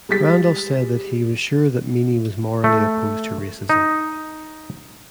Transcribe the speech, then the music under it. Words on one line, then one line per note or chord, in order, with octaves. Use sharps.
Randolph said that he was sure that Meany was morally opposed to racism.
G3 G#3 A6 B6
A3
D#4